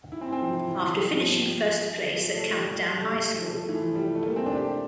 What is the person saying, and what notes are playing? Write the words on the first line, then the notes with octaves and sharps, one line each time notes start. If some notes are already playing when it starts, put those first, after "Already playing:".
After finishing first place at Camperdown High School.
E4
C4
C4
F3
E3
F3
G3
F3
F3
A3
G3
G3
A3
F3
A3
E3
F3
G3
A3
A#3
C4
D4
G4